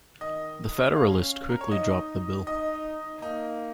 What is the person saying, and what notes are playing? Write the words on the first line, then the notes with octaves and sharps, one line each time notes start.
The Federalists quickly dropped the bill.
D#3 D#5
C#4 F5
A#4
C#5
D#4 D#5
D#4 D#5
A#3 D#4